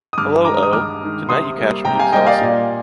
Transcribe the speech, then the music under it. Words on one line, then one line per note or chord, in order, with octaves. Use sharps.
Hello, Oh! Tonight you catch me exhausted.
D#6
G2 D6 F6
D#3 G#3 A#5 D6
D#6
G2 D6 F6
D#3 G#3
C3 C6 D#6
G3 A#3
C3 G5 A#5
F5 G#5
G3 A#3 D#5 G5
D5 F5
A#2